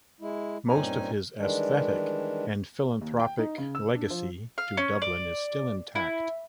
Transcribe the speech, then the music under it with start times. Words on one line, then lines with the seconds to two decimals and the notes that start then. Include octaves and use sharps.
Most of his aesthetic and philanthropic legacy to Dublin is still intact.
0.21 G#3 E4
0.69 G2 A#2 C4 C#4 D#4 G#5
1.38 D#3 E3 G3 G#3 D4
3.01 D#2
3.19 G5
3.38 D#4
3.58 C#3
3.75 E6
3.96 D4
4.10 F3
4.58 F5
4.77 C#4
5.02 D5
5.95 E4